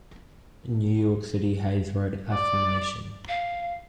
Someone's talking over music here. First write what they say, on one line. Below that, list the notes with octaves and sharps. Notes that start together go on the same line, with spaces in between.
In New York City, Hayes wrote "Affirmation".
D5
F5